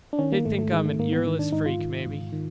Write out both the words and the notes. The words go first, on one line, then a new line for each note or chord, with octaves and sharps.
They think I'm an earless freak, maybe.
D4
D#3 C#4
A#3
G#2 A3
A3
D#3 G#3
A3
G#2 A#3
B3
D#3
D4
G#2 D#4
F4
D#3
G#2
D#3